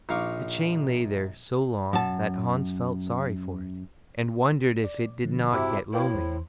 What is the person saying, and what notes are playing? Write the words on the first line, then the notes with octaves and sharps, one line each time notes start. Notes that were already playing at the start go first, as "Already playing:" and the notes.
The chain lay there so long that Hans felt sorry for it, and wondered if it did not get lonely.
A#1 D#4 F5 C#6 D6
F#2 A5
D5
D3 F3
G2 C3 E4 F#4 D6
A2 E4 B4 F5 G5
E2 C5